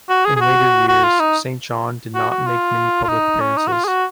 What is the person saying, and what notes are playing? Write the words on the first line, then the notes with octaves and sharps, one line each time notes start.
In later years, Saint John did not make many public appearances.
F#4
G#4
G#4
F#4
F#4
F4
D#4
F#4
F#4
F4
F4
D#4
C#4
D#4
F#4
F4
G#4
F#4